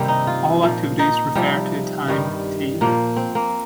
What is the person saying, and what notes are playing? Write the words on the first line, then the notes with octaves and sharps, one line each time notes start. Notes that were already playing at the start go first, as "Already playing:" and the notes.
All activities refer to a time "t".
Already playing: G2 C3 D#3 G3 A#3 C4
D#4
F4
A#2 F3
D#4
C3 F3 G3
G2 D#3 G3
A#2 F3 A#3
C4
A#3